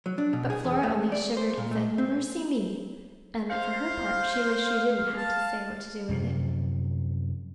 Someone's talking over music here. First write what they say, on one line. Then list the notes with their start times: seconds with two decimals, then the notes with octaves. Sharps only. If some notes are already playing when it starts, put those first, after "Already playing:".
But Flora only shivered and said "Mercy me!" and that, for her part, she wished she didn't have to say what to do with it.
0.06 F#3
0.18 D4
0.33 B2
0.50 G#4
0.64 E2
0.83 A3
1.12 D5
1.37 C5
1.58 A#2
1.71 A3
1.98 C4
3.50 C5 F5
5.17 A5
6.09 F#2 C3 F3